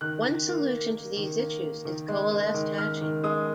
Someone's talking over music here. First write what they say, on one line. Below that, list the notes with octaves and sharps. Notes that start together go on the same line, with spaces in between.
One solution to these issues is coalesced hashing.
D#3 F#6
D#3
A#3
A#3
A#3
D#3
A#3
A#3
D#3
G#3
G#3
D#3
D#3 F6
D#3
G#3 D#6